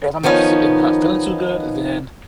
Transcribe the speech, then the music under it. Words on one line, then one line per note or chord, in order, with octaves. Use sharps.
if I'm not s if I'm not feeling too good, then,
D#3 F3 B3 C#4 D#4